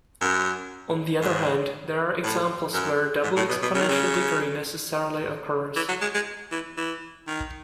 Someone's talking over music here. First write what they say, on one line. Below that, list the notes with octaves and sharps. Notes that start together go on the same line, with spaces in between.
On the other hand, there are examples where a double exponential degree necessarily occurs.
F#2
G#2
A2
F#2
G#2
A2
B2
B2
C#3
D#3
C#3
E3
F#3
G#3
G#3
E3
E3
D#3